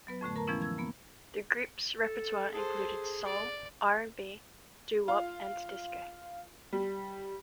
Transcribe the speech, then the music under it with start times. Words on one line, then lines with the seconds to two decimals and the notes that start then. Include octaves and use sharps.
The group's repertoire included soul, R and B, doo-wop, and disco.
0.07 F#3 B3 B4
0.21 F2 A2 D3 A3
0.36 A#4 A5 A#5
0.47 E3 F3 G#3 B3 C#4 E4
0.62 E6 G#6
0.78 A#3 B3
1.99 A4
2.52 G#4 A4 C5
3.25 D5
5.08 F4
6.73 G3